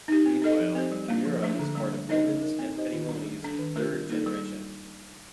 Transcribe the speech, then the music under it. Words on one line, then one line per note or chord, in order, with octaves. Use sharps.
Meanwhile, Kimura was part of Romans and Petitmoni's third generation.
D#4 G4
C4
D#4 A4 D#5
F3
C4 G4 C5
G3
A#3 D4
F3
A3 D4
D3
G3 A#3 D4
A3
D#4 A#4 D#5
A3
D#4 A#4
C4
D#4 G4 C5 D#5
D#3
G3 D4
A3
D4 A4
D#3
A3 D4 F4 A#4
G3
A#3 D#4 A4 D5
G3